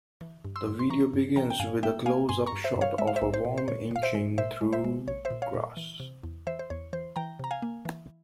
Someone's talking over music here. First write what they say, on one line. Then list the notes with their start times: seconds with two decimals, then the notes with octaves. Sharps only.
The video begins with a close-up shot of a worm inching through grass.
0.21 E3
0.45 G2
0.56 C6 E6
0.67 G2
0.79 C6
0.90 E3 A#5 C#6
1.14 G2
1.36 E3 G5 A#5
1.50 G5
1.59 G2 F5 G#5
1.83 A#3 E5 G5
2.06 A#3 F5 G#5
2.29 G2 G#5 C6
2.46 A#5 C#6
2.52 G2
2.64 C5 E5
2.76 G2
2.81 C#5 F5
2.98 G#3 E5
3.07 F5
3.16 C5 E5
3.22 A#1
3.34 C5
3.45 A#2
3.58 C5
3.68 A#2 C#5
3.91 A#2 F5
4.03 C5 E5
4.15 G#3
4.38 A#2 C5 E5
4.61 G#3
4.73 C5 E5
4.84 G#3
5.08 A#1 C#5
5.25 C5 E5
5.31 A#2
5.42 C#5 F5
5.54 A#2
5.77 E3
6.00 C3
6.23 E2
6.47 E3 C5 E5
6.59 C5
6.70 E2 C#5
6.93 E3 C5
7.16 E3 G5 A#5
7.39 C3 A#5
7.51 F5 G#5
7.62 A#3
7.85 E3